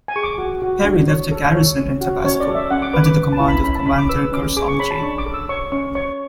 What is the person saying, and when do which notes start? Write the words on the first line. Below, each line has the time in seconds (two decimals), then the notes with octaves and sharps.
Perry left a garrison in Tabasco, under the command of Commander Gershom J.
0.08 G#5
0.16 G#4 C#6
0.23 D6
0.38 F#4
0.62 F#4
0.84 D4
1.08 C#5
1.31 A4
1.55 C#5
1.78 C#4
2.01 F#4
2.24 C#4 C#5
2.40 D5
2.48 A4
2.55 E5
2.71 C#4 F#5
2.82 D6
2.93 B4 D6
3.06 D6
3.17 B4
3.32 A5
3.40 E4
3.48 B5
3.63 C#4 B5
3.75 A5
3.86 C#4 B5
3.98 D6
4.09 B4 E6
4.32 C#4 D6
4.57 G#4 D6
4.68 C#6
4.80 C#5 B5
4.91 A5
5.02 D4 C#6
5.18 D6
5.26 A4
5.34 E6
5.49 C#5 C#6
5.72 C#4 C#6
5.95 C#5 C#6